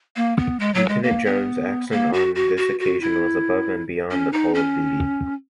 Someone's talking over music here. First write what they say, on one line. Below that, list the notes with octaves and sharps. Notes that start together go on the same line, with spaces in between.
Lieutenant Jones' action on this occasion was above and beyond the call of duty.
A#3
B3
G#3
F#3
G#3
A#3
B3
A#3
F#4
F#4
F#4
F#4
E4
C#4
D#4
C#4